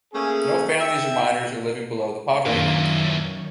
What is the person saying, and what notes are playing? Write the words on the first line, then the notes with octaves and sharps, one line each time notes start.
No families or minors are living below the poverty line.
A3 A#3 C#4 G#4
E5 G5
F#2 A#2 D#3 E3 A#3 D4 C#5 F5